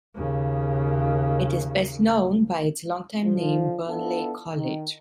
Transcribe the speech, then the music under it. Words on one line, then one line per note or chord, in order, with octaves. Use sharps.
It is best known by its longtime name Burnley College.
D#2 C#3
D3 E3 F3
B3 D4 E4 F4 A4
D#3